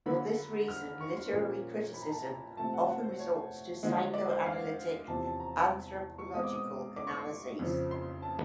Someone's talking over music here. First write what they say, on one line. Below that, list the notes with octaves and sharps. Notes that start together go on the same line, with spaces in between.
For this reason literary criticism often resorts to psychoanalytic, anthropological analyses.
D3 F#3 A#3 B5
F6
C#6
C6
A#2 F3 A#3 C#4
B5
A#5
A5
A#5
C3 F3 A3 C4 A5
F#5
F#5
C5
C#5
D3 F3 G#3
D5
C5
F5
E2 C3 F3 A5
A5
A#5
C#6
B2 G#3 C4 D#6
D6
D#6
D6
C#6
C6
F2 C#3 F3
C6
A5